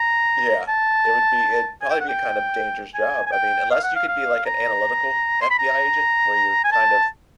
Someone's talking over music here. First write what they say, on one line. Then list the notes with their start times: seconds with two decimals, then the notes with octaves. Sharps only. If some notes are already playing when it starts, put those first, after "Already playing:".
Yeah, it would be, it'd probably be a kind of dangerous job. I mean, unless you could be, like, an analytical FBI agent where you're kind of
Already playing: A#5
0.68 A5
1.82 G#5
1.90 G5
2.00 F#5
2.09 G5
2.94 G#5
3.26 G#5
3.32 G5
3.71 F5
3.83 F#5
3.95 F5
4.08 F5
4.46 A#5
5.42 C6
5.50 B5
5.59 A#5
6.64 G#5
6.72 A5